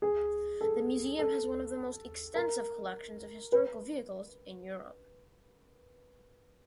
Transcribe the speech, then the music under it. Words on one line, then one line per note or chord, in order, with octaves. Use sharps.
The museum has one of the most extensive collections of historical vehicles in Europe.
G#4
A4
A4
A#4
B4